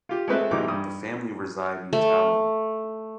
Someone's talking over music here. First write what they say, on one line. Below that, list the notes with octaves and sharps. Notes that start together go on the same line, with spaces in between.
The family reside in Tallinn.
F4 G4
G#3 A3 C4 B4 C5 E5
B1 E3 G3 D#4 D6
G2 D#6
A3